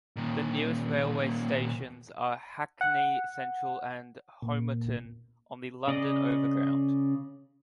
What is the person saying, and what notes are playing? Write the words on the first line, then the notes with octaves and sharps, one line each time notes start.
The nearest railway stations are "Hackney Central" and "Homerton" on the London Overground.
D#2 A#2
F#5
A#2
C#3 D5 D#5